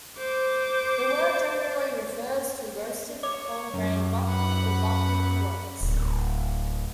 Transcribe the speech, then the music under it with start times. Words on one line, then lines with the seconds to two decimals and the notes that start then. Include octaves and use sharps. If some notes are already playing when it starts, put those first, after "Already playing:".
The word generally refers to roasted whole-grain buckwheat or buckwheat groats.
0.18 C5 D6
3.23 C#5 D6
3.74 F#2
4.27 B4 F#5
5.81 D1